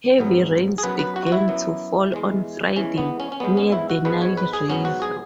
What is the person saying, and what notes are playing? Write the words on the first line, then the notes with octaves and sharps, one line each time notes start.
Heavy rains began to fall on Friday near the Nile River.
G#1 G#2 F#3 B3
G#4
F#2 F#3 B3 B4
B4
F#4
F#4
E4
F#2 F#3 B3
E2 E3 G#3
E2 E3 G#3 C#4
B3
C#4
C#4
G#2 G#3 B3
C#4
E4
F#4
G#2 G#3 B3 B4
C#5
B4
G#4
G#2 F#3 B3 C#4
F#4
G#4